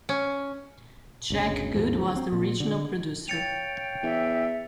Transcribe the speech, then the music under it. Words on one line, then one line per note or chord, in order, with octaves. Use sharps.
Jack Good was the original producer.
C#4
G1 D2 C#3
D#2 G#2 B2 F3
D2 F3
C4
A#2
D3
C#5 F5 G5 A6 C#7 F7
E2 E5